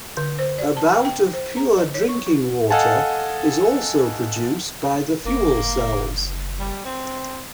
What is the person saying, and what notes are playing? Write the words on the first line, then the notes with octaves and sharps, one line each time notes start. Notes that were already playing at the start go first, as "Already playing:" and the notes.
About of pure drinking water is also produced by the fuel cells.
D3
C5
D5
A5
G5
G5
C5
A#5
D#5
C#5
C#6
D#4
A4 D#5 F5 F#5 G#5 A5
F#1 A#3
G3
C4